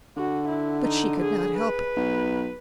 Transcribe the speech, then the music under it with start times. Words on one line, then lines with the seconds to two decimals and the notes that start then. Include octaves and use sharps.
But she could not help it.
0.17 D3 F#4
0.48 E4
0.82 D#4
1.20 G#4
1.56 B4
1.97 B1